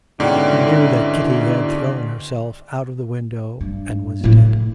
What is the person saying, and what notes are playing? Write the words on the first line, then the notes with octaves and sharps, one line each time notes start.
He knew that Kitty had thrown herself out of the window and was dead.
G#2 B2 D3 C#4 E4 D5 F#5 G5
G2
A2 E4